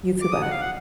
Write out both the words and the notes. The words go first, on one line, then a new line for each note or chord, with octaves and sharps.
You too, bye.
D6
D#6
F#5
F5
F#5